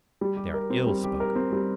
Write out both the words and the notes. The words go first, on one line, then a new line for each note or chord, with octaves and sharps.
They are ill spoken.
G3
G4
A#4
C4
G3
G4
A#4
C4
G3